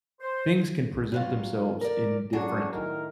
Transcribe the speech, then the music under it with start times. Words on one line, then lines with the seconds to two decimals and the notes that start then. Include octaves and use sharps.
things can present themselves in different
0.21 C5
1.12 G2 F#3 F4
1.81 A#4 D5
2.33 F#3 C#4 D4 F#4 G#4
2.70 A2 D#3 A#4